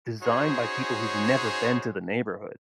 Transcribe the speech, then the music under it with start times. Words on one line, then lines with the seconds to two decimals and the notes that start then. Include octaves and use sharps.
designed by people who've never been to the neighborhood.
0.23 C#4 D#4 F#4 G#4 C5 C#5